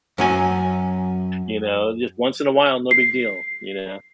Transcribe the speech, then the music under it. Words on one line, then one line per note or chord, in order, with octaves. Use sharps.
You know, just once in a while, no big deal, you know?
F#2 C#4 G#5
C7